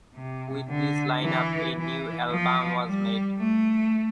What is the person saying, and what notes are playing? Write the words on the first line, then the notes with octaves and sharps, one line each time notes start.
With this lineup, a new album was made.
C3
D3
E3
E3
F3
G3
A3